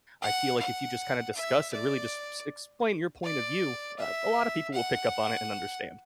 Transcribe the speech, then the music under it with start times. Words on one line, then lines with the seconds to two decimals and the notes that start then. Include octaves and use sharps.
I feel like if you just kinda discuss, and really just s s explain your point of view, a a lot of people will pick up on it, and understand.
0.22 F#5
0.59 F#5
1.35 E5
1.73 D5
3.23 D5
3.98 E5
4.73 F#5